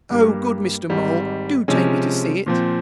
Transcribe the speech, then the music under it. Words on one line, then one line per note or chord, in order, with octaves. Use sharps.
'Oh! good Mr. Mole, do take me to see it!'
G2 G3 A#3
G#1 G#2 G3
C3 F3 G#3 C#4
A#2 F3 C4